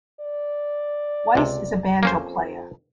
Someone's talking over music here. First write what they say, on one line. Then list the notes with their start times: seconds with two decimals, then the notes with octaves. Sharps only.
Weiss is a banjo player.
0.20 D5
1.35 C#2 C3
2.03 F2 A#3 C#4 C5